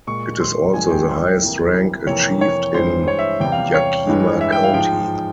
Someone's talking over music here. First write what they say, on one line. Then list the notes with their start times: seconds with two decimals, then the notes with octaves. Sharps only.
It is also the highest rank achieved in Yakima County.
0.07 A#2 G#3 C#6
0.40 C6
0.74 G2 F3 G#3 G#5
0.90 G5
1.41 C2 C3 E3 A#3
2.07 F2 C3 E3 A#3 C#5
2.41 C#5
2.74 G2 E3 G#3 C5
3.08 C#5
3.19 E5
3.40 E2 C3 G3 G5
3.52 F5
3.74 C#5
4.07 G2 E3 G#3
4.41 E5
4.52 G5
4.63 F5
4.74 G#2 F3 G#3 G5